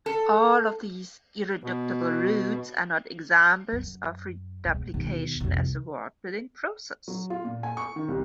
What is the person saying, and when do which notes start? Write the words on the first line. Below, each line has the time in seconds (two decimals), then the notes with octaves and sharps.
All of these irreducible roots are not examples of reduplication as a word-building process.
0.06 A4
1.64 B2
3.72 F#2
4.65 E2 B2
4.94 D#2 B2
5.40 C2 F2
7.08 F#3
7.30 F4
7.44 A#2
7.63 G#5
7.77 C#6
7.96 D#3
8.09 C2